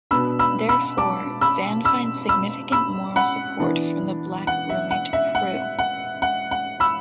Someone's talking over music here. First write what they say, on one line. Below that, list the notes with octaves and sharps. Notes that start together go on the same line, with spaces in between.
Therefore, Zan finds significant moral support from the black roommate Prue.
B2 B3 D4 B5 E6
B5 E6
B5 E6
A5 D6
B5 E6
B5 E6
B5 E6
B5 E6
F#5 B5
E3 B3 D4
F#5
E5
F#5
E5
F#5
F#5
F#5
F#5
B5 E6